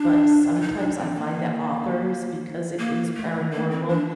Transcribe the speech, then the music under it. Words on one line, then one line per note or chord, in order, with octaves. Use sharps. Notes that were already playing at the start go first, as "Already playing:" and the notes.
but sometimes I find that authors because it is paranormal,
Already playing: D4
F4
D#4
D4
C4
A#3
A#3
A#3
A3
A#3
C4
D4